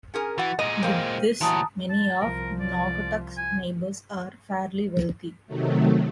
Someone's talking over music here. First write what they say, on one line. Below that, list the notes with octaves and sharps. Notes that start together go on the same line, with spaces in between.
With this, many of Naugatuck's neighbors are fairly wealthy.
C#4 G#4 A#4
E3 F#4 F#5 A6
A#2 G#3 D#5 D#7
A#3 C4
D2 A#2 E3 F#3 G3 A5 A#5 D#6
A5
C2 F3 A#4
D5
G#5
C3 D#3 F#3 A3